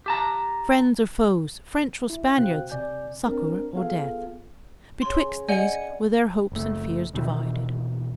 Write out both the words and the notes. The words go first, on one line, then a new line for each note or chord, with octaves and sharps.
Friends or foes, French or Spaniards, succor or death,--betwixt these were their hopes and fears divided.
G4 A5 A#5
E4
C3 F#4 C5 F5 G5 F#6
C3 D5 G#5 G6
C4 D4 A#4
B3 F4 G#4 A4 F5
C#3 C6
D5 D#5 F#5 G#5 C#7
F#1 A3
D#2 B2 D#3 E3